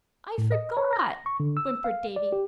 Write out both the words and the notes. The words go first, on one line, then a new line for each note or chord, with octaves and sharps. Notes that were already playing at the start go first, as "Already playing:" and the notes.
"I forgot," whimpered Davy.
A2
D#5
C#5
A#6
C#6
D3
E6
F5
D5
G4